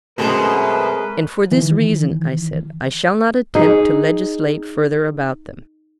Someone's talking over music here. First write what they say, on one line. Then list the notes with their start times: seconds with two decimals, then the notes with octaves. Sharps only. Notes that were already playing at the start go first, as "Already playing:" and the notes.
And for this reason, I said, I shall not attempt to legislate further about them.
0.18 F#2 B2 G#3 A3 C4 A#4 B4
1.52 D#3 E3
3.55 D#4 G#4